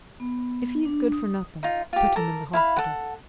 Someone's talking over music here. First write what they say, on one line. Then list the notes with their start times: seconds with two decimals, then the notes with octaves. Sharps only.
If he is good for nothing, put him in the hospital.
0.20 B3
0.85 D4
1.12 D#6
1.63 D#4 F4
1.93 F4 G4
2.16 A4 A#4
2.53 E4 F5 B5
2.77 A4 F#5